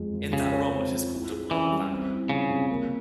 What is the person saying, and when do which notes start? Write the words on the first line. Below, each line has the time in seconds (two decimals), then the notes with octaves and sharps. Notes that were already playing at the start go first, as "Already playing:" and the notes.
In that role it is called a blower vac.
Already playing: F2 F3 G#3
0.14 F3
0.33 C#3 G4
0.52 C#5
0.72 C4
0.92 F3
1.11 E4
1.32 G#4
1.51 E3 C#4
1.71 G3
1.90 C4
2.10 E4
2.29 C#3 F3
2.50 C3
2.70 A#3